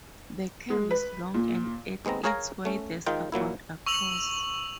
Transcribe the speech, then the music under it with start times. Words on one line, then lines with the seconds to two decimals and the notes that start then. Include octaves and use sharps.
The curve is long and, at its widest, about across.
0.70 G#3
0.91 B4
1.34 A#2
2.05 D#2 G#3 B3 C4 A#5
2.24 G#4 A#4 C#5 F5 G#5 A#5
2.65 A3 C#4
3.06 G#2 D#3 D#4 F4 G5
3.32 A#2 F#3 A#3 E4
3.86 C#6 E6 F7 F#7